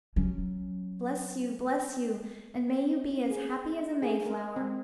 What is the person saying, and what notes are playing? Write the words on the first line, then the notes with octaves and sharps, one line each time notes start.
Bless you, bless you! and may you be as happy as a Mayflower!
F#3 C#4
G#4
G#4
A#4
C4